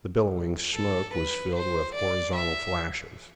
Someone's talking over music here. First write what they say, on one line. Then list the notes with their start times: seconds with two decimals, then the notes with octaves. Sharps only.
The billowing smoke was filled with horizontal flashes.
0.74 A4
1.14 B4
1.55 C5
1.95 D5
2.35 E5